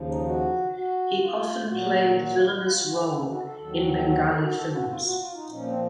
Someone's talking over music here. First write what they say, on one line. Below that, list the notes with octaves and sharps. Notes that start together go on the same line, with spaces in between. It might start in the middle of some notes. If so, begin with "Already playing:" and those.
He often played villainous role in Bengali films.
Already playing: D#2 C#3 F3
D#4
F#4
F#4
F4
A#2 F#3 F#4
F#4
F4
F4
F#4
A4
D#4
F#4
A4
D#2 D#3 F#3 A4
F#4
A4
F#4
A4
F#4
A4
F#4
F4
F#4
F4
D#4
A#2 F3 C#4
C4